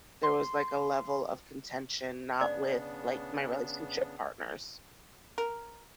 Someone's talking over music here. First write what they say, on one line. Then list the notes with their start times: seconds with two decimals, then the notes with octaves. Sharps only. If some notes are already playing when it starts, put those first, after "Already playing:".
there was, like, a level of contention, not with, like, my relationship partners,
0.23 C6
2.41 C#3 B3 D4 D5
5.38 A#4